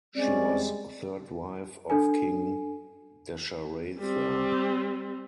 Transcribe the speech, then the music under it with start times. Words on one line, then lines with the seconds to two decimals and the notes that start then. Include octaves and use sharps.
She was third wife of King Dasharatha.
0.16 G3 G#3 C4 C#4 D5
1.90 D4 A4 G#5
4.00 G3 C4